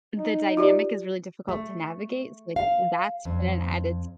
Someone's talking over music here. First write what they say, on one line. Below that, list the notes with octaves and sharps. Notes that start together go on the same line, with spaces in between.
the dynamic is really difficult to navigate, so, like, that's been an added
D#4
F4 G4 D5
A3
F5
F2